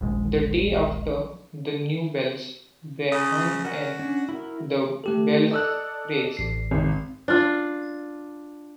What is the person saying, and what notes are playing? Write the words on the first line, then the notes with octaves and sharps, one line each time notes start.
The day after, the new bells were hung in the belfries.
D#1 A#1 G#3
C#3 D#6
F#4 A#4 D#5 G#5
C#4 D4
E4 F#4 A#4
A3 G4 A4
A4 D5 D#5 E6 F#6
A1 C7
G#1 C3
D4 F4